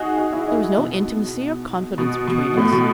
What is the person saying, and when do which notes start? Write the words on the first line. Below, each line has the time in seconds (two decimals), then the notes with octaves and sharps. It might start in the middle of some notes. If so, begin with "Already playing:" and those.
There was no intimacy or confidence between us.
Already playing: D#4 F#4 G#4
0.18 F#4
0.32 E4
0.48 D#4
0.78 B2
1.98 B2
2.28 B2
2.57 A2
2.73 B2